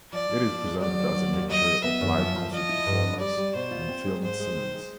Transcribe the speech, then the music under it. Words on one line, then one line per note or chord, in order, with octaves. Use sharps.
It is presented as a mixture of live concert performance and filmed scenes.
F3 D5
F3
F3
G#3
F#3 D5
D#2
F#3
D#2
F#3 D#5
F#3
B3 E5
F#2
F3
F3
F3 D#5
E4
G2
D3
G3 D5
G3
B2 C5
F4
C4
G#3
G#2 C5
G#3
D#3
G#3